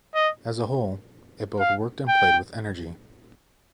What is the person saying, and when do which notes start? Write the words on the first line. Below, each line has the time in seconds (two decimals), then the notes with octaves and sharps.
As a whole, it both worked and played with energy.
0.15 D#5
1.59 F5
2.08 G5